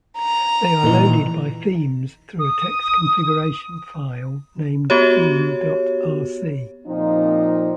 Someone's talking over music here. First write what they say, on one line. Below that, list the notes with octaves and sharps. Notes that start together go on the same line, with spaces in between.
They are loaded by themes through a text configuration file named theme.rc.
A#5
A#2 E3 D#4
D#6
B3 F#4 G4 C#5
A#2 F3 C4 D#4